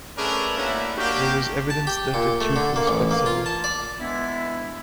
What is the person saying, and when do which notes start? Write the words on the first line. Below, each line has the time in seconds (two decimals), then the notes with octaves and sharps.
There is evidence that the tube was flexible.
0.17 A3 C#4 D4 G#4 A#4 B4
0.57 A3 A#3 C#4 D4 E4 F#4
0.98 A#3 D4 F#4 G4
1.70 A5
1.87 G4
2.14 A#2
2.41 A3
2.56 D3
2.76 A#3
2.87 A1
3.11 A#3
3.26 F4
3.46 A5
3.64 D5
4.00 E3 G#3 B3 D4 E4